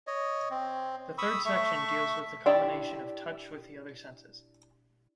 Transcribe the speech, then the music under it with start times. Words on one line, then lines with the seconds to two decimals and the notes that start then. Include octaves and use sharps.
The third section deals with the combination of touch with the other senses.
0.07 C#5 D#5
0.51 C4
1.18 B5 C#6 D#6 E6
1.45 A3 E5 C#6
2.46 D4 E4 G4 D5